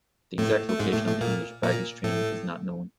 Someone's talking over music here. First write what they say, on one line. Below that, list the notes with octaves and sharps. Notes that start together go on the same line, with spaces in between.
The exact location of the English baggage train is not known.
A2 A3
A3
G#2 G#3
A2 A3
A2 A3
A#2 A#3
A#2 A#3
A2 A3